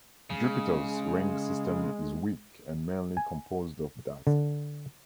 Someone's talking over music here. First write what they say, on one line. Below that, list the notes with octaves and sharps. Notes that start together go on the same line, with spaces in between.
Jupiter’s ring system is weak and mainly composed of dust.
C#3 G#3
G#5
D3